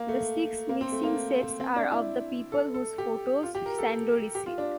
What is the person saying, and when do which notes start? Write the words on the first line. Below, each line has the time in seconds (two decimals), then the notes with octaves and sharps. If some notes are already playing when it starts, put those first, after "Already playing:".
The six missing sets are of the people whose photos Sandow received.
Already playing: A#3
0.08 A3
0.69 A#3
0.81 C4
0.92 A3
1.03 A#3
1.60 C4
1.76 D4
1.91 E4
2.52 A4
2.74 A4
2.98 G4
3.43 F4
3.55 G4
3.66 A#4
3.78 A4
4.35 G4
4.46 F4
4.58 D4